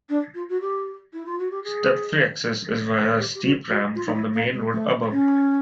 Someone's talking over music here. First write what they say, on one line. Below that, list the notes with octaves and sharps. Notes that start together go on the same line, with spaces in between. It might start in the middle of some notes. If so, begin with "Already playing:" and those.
Step-free access is via a steep ramp from the main road above.
D4
F4
F#4
G4
E4
F4
F#4
G4
G#4
G4
G4
F#4
F#4
F4
D#4
E4
A#3
G#3
A3
C#4